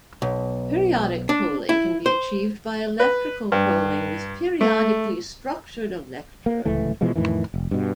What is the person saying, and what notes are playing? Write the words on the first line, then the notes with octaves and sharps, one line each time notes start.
Periodic poling can be achieved by electrical poling with periodically structured electrode.
B1
D4
E4
C5
B4
G2
A3
A#3
D1 C#2 E3 A3
B2 E3 F3 G#3
F2 A2 D#3 E3
F1
G2 B2